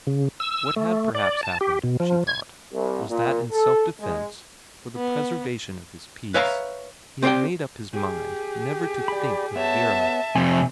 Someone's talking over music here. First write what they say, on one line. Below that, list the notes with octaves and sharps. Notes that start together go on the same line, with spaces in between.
What had perhaps happened, she thought, was that in self-defence, for the preservation of his peace, he had made up his mind never to think of Vera.
C#3
E6
A3
D5
A5
G4
B2
F3
G#6
C2
A#2
A4
G#3
B3
B4 C#5 E5 F5 G5 A#5
C4 G4 C5 D5 G5
G4 G#4
D5 B5
B3 C#5 E5 A5
F2 C3 E5 G#5